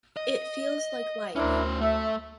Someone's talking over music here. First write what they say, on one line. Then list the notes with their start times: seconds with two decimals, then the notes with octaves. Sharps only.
It feels like life.
0.17 D#5
1.36 D2 C#4 D4 E4 A#4 C5
1.81 A3 E5